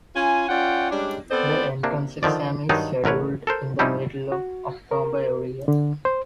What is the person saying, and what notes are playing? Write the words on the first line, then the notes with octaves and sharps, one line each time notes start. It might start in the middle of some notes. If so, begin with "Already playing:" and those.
The entrance exam is scheduled in the middle of October every year.
C#4 F4 G#5
C#4 F4 D5 F#5 G5
G3 G#3 C#4 D4
B3 C4 A4 C5 D5
C3 A#3 D4
D3 D#3 F3 D5
G2 D#3 F#3 D4 D#4
A1 D3 A#4 B4 C#5
A4 A#4 C5
F3 G3 C4 C#4 D#4 E4
F#4
A#4
D3
C5